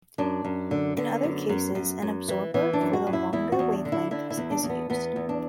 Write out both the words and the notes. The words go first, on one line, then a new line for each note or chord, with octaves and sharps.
In other cases an absorber for the longer wavelengths is used.
F#2 D4
F#2
D3
D3 B3
F#2
F#2
F#2
F#2
E3
E3 B3
D4
F#2
F#4
F#2
E4
E2 E4
F#4
E2
D4
D3
E4
D3 E4
E4
E2
D4
E2
B3
E2 B3
E2
D4